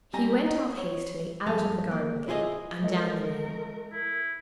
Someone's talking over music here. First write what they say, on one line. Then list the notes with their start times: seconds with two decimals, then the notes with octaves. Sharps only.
He went off hastily out of the garden-gate and down the lane.
0.13 G3 C4 G#5 A#5
0.46 D#4
0.77 C#5
1.46 G2 F3 G#4 A4 F5 A5
1.91 A#3
2.28 E4 F4 G#4 C#5 D#5
2.82 G#3 A3 F4 A#4 D#5
3.92 E4